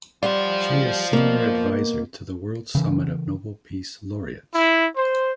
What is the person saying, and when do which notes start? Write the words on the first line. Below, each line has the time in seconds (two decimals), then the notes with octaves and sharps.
She is senior advisor to the World Summit of Nobel Peace Laureates.
0.23 G3 F4 C5 D5 F#5
1.13 B2 A#3
2.75 C#3 E3
4.55 E4
4.96 C5